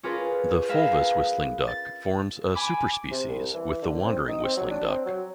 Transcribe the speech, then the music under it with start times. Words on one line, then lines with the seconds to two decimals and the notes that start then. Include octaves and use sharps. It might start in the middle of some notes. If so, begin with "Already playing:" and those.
The fulvous whistling duck forms a superspecies with the wandering whistling duck.
0.03 C#4 D4 F4 G#4 A#4 B4
0.69 G#4 A#4 B4 E5 F5
1.67 A6
2.54 G#5 B5 D6
3.11 C3
3.29 C2
3.54 E3
3.82 D3
4.02 C4
4.28 D#4
4.44 C4
4.57 F#3
4.71 D4
4.88 C4
5.06 F#3